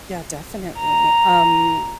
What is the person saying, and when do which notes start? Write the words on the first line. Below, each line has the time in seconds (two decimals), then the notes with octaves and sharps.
yeah, definitely. Um
0.80 A#5